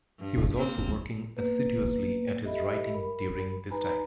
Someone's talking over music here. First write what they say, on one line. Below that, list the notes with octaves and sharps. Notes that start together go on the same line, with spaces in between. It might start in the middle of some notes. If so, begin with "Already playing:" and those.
He was also working assiduously at his writing during this time.
G2
A#3 C4
A#3 B3 B4
G4 A4 D#5 E5 B5
A#4 B5
D#4 B4 G#5 A#5 B5